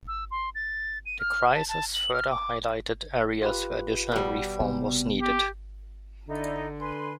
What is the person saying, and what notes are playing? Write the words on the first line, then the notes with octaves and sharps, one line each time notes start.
The crisis further highlighted areas where additional reform was needed.
E6
C6
A6
D#7
F6
A5
A5
F#7
F6
D6
F4 G4 B4
B2 G3
C3 B3
G4
D3 D#4 E4 D5
B4 G#5 C6